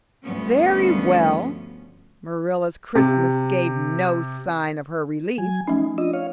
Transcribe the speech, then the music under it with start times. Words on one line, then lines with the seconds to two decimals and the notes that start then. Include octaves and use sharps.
"Very well." Marilla's crispness gave no sign of her relief.
0.24 D2 G2 F3 B3 C#4
2.95 C3
5.38 F#3 G#5
5.67 F3 A3 C#4 D#4
5.98 D4 F4 D#5
6.13 C#5 F5